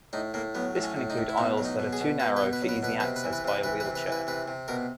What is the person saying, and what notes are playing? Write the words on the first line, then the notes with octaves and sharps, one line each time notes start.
This can include aisles that are too narrow for easy access by a wheelchair.
A2 D#4
A2 A#3
F#3 B3
A2
C#4
A2
D#4
A2
E4
B2 D#4
F#3
D#4
B2
G#4
B2
B2 B4
B4
B2
B4
F#3
B4
B2 B4
B4
C3
B4
E3
B4
C3 B4
E3 B4
B4
C3
B4
E3
B4
C3 B4
C3
B2 A#4